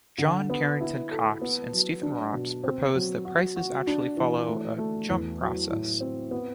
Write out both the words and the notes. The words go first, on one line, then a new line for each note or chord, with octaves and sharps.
John Carrington Cox and Stephen Ross proposed that prices actually follow a 'jump process'.
D3
B3
E4
A4
B3
F#3
D4
B2
C4
F#3
F#4
F#4
D4
E3
A3
A3
E2
F#3
A2
C4
B3